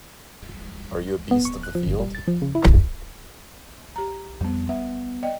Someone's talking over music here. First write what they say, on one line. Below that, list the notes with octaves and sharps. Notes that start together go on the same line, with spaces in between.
Are you a beast of the field?
B3
C#6
F#6
F3
G1
G3
A6
F3
C#3
E4
C#2
G4 A#5
F2 G3 B3
B3 E5
D5 D#5 G5